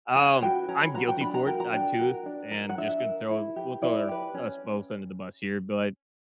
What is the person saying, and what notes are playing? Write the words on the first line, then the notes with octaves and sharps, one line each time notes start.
Um, I'm guilty for it, uh too, and just gonna throw we'll throw us both under the bus here, but, like,
C#4 F#5
F#4 B4 G5
C#4 A#5
B5
F#4 B4 A#5
G5
D4 B5
A#5
F#4 A#4 G5
A#5
D4 G5
F#4 A#4
D4
A#4
F#5
D4 E5
A#4
E4
G4 B4
E4 D5
G4 B4
C#4